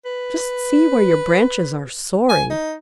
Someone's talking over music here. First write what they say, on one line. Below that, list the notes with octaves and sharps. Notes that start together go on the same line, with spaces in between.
Just see where your branches are soaring.
B4
G#5
D#4